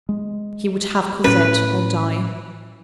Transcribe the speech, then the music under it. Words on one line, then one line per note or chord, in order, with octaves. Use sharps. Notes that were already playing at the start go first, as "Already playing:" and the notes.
He would have Cosette or die.
G#3
A2 C#4 B4